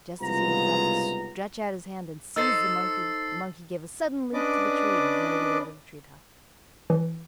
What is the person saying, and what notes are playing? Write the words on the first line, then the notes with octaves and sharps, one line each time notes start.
Just as he was about to stretch out his hand and seize the monkey, the monkey gave a sudden leap to the tree and hurried away to the tree top.
C2 G#2 C#3 B3 F4 A#5
D#4 A4 C5 E6 A6 C7
C#4 D4 B4 D5 D#5 D6
E3